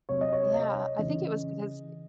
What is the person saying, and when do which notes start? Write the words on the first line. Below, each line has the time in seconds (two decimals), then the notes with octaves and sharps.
Yeah, I think it was because, eh
0.09 C3 F#3 C#5
0.21 D#5
0.32 C#5
0.54 D#5
0.99 C#3 E3